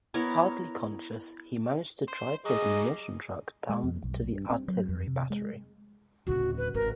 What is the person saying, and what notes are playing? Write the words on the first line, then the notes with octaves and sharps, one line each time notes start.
Hardly conscious he managed to drive his munition truck down to the artillery battery.
B3 E4 A#4 C#5
C5
F#3 G3 G#4 D#5
G#3
F2
B1
G2
C4
F#3
F2
C3
G#3
D1 C#3 F#4
B4
G#1 A#4